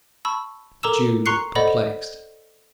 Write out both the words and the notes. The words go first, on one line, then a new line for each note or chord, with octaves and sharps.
The Jew looked perplexed.
A5 B5 C#6 E6
A4 A#4 A#5 D6 E6 E7
A#5 C6 C#6 F#6 C7 C#7
A4 C5 D5 D#5 F#5 B5